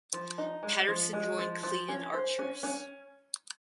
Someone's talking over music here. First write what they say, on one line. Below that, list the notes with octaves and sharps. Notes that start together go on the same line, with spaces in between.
Patterson joined Cleadon Archers.
F3
D#4
G#3
F3
G#3
F3
F3
C#4
C5
C#4
C#4